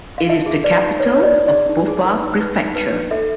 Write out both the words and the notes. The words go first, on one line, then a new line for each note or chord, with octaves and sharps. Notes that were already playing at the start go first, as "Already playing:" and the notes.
It is the capital of Boffa Prefecture.
F5
D#4 E5
G#4
B4 D5
D#4
B4 C#5
B4 C#5
D5
D#4
D5
G#4
D#4
G#4
B4
D#4
B4
D#4
B4
B4
A4 E5